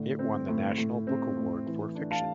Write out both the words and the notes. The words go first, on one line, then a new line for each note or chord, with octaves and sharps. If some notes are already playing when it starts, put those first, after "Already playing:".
It won the National Book Award for fiction.
Already playing: A2 D3
C4
A2
A2
C4
A2
E3
D4
F5 A5